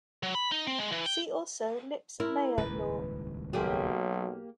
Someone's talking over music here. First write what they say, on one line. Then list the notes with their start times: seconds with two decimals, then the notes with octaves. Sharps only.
See also: Lipps-Meyer law.
0.23 F#3
0.35 B5
0.52 D#4
0.67 C4
0.79 G#3
0.92 E3
1.06 G5
2.20 E4 A#4
2.58 D#1 C#2 G#2 B4
3.53 B1 F#3 A#3 G4 G#4